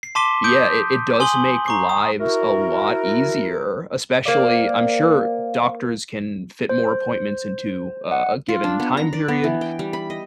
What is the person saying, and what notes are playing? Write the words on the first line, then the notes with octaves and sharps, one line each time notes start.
yeah, it it does make lives a lot easier, especially I'm sure doctors can fit more appointments into, uh, a given time period,
C7
A5 C6 D6 B6 D#7 G7
D#6 G6 D7
G#5 C6 D#6 F#7 G7
A#5 C#6 C7
D#6
E4 F#4 A#4
A#3 C5 D5 F5
C5
F#5
F4
D4
B3
A#5
D5
B3
E3
G5
G3
B5
D#5